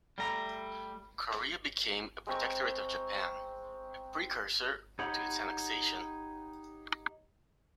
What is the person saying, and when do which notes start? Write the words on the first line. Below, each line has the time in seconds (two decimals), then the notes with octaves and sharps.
Korea became a protectorate of Japan, a precursor to its annexation.
0.18 G3 A3 A#5
2.27 G#3 C4 A#5 C#6
4.99 D#4 G4 C#5 F#5 B5